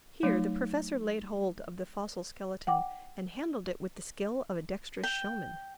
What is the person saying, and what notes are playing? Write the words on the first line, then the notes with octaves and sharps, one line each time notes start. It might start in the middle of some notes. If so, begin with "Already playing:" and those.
Here the Professor laid hold of the fossil skeleton, and handled it with the skill of a dexterous showman.
F#3 A3 D#4
F#5 G5 D6
G5